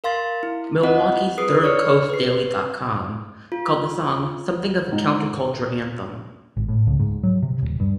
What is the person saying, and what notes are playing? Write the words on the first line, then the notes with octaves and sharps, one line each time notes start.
Milwaukee's "Third Coast Daily dot com" called the song "something of a counterculture anthem".
A#4 F5 C6 A6
E4
C4 F4 D#5 F#5
F4 G#4 B4 D#6 C7
C#5 D5 C#6 F6 C#7
B4 C7
F4
G#2 D#4
G#1
A2
C#2
G#2
F#3
C3
D#1
G2